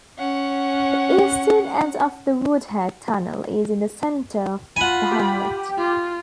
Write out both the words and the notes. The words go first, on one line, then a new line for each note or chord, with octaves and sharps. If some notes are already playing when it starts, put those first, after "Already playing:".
The eastern end of the Woodhead Tunnel is in the centre of the hamlet.
C#4 F#5
F4 F#5 G#5 B5
G4
F4